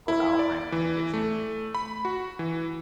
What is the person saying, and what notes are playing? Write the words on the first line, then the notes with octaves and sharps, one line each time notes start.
or our friend comes and gets him,
E4
D5
E3
A3
B5
F#4
E3